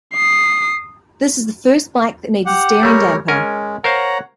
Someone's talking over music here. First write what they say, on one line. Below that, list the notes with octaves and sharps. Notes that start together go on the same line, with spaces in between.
This is the first bike that needs a steering damper.
D#6 C7
G4 F#5
G3 A3 A#4 C#5
G#3 C#4 A#4 G#5
A#4 C5 C#5 F5 F#5 A#5